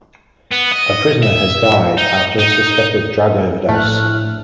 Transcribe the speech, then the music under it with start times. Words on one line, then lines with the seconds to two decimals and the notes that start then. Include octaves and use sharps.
A prisoner has died after a suspected drug overdose.
0.51 B3
0.72 D#5
1.23 E5
1.98 D#4
2.39 D#4
3.69 A#1 A2 A3 F6 F#6